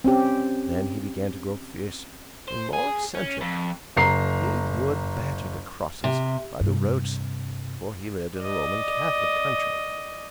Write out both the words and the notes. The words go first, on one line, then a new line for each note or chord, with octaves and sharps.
Then he began to grow fiercer and more eccentric; he would batter the crosses by the roadside; for he lived in a Roman Catholic country.
C4 C#4 G4
C5
G#4
C#4
F2
F#1 A#5 C7
C3
G2 C3
D5 D#5